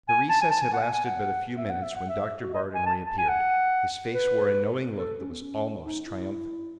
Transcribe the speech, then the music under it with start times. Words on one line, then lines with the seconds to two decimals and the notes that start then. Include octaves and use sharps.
The recess had lasted but a few minutes, when Doctor Bardon reappeared. His face wore a knowing look that was almost triumphant.
0.09 G#5
0.30 A5
0.41 G#5
0.51 A5
0.62 G#5
0.73 F#5
0.83 G#5
0.93 G#5
1.05 F#5
1.58 E5
1.70 F#5
1.83 E5
1.96 F#5
2.09 E5
2.43 F#4
2.54 D#5
2.75 G#5
2.86 A5
3.07 A5
3.18 G#5
3.29 F#5
4.13 B4
4.98 A4
5.20 C#4
5.30 B3
5.41 C#4
5.84 D#4
6.05 E4